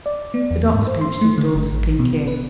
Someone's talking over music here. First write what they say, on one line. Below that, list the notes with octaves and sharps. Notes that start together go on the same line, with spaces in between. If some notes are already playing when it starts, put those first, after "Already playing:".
The doctor pinched his daughter's pink ear.
D5
B3
E2
G#2
C5
C6
A3
D3
G1
A1
B2
B4